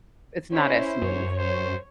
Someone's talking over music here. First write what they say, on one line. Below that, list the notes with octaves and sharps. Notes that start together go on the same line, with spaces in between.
it's not as smooth.
C#4 E4 C5
F#2 C#5
C5